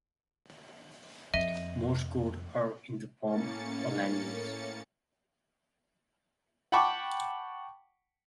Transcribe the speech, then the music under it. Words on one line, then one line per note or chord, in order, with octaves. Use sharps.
Morse Code or in the form of a language.
F2 D#5 E5
A2 A#3 C#4 A6 C#7
F#5 G5 A5 B5 C#6 D6